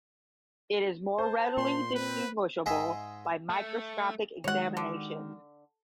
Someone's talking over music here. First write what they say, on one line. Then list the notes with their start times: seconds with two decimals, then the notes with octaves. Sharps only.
It is more readily distinguishable by microscopic examination.
1.18 C5 A5
1.57 A#2 C6
1.95 C4 B4
2.66 G#2 G#3 G#4 D#5 E5
3.50 A3
4.44 D#3 G#3 F#4 C#5 F#5
4.77 D3